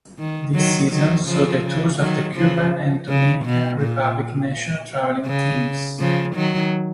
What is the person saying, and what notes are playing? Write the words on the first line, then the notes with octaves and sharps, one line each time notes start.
This season saw the tours of the Cuban and Dominican Republic National traveling teams.
D#3
D#3 F#3
D#3 F#3
C#3 F3
C#3
D#3 F#3
C#3 F3
C#3
B2
A#2
C#3
C#3 F3
D#3 F#3